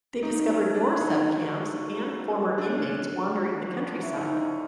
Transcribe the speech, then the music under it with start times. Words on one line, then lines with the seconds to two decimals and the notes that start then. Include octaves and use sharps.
They discovered more subcamps and former inmates wandering the countryside.
0.22 A#2 F#3 A3 D#4
0.49 C#4
0.74 D4
1.01 D#4
2.58 D4
2.69 C#4
2.78 D4
3.36 D3 F3 A#3 C#4
4.03 E4
4.16 D#4